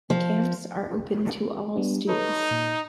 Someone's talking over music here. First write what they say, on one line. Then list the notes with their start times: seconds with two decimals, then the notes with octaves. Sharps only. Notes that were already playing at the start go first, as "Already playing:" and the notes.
The camps are open to all students.
0.10 F3
1.76 G3 B3 D4
2.09 D#4 A4 B4 C#5
2.51 A#2